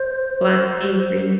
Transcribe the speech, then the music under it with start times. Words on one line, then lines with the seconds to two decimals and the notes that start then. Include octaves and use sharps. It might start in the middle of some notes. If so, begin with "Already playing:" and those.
Black tea, green
Already playing: C5
0.43 C5